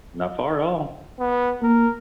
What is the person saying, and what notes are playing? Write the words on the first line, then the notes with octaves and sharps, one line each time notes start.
not far at all.
B3
A#3 A#4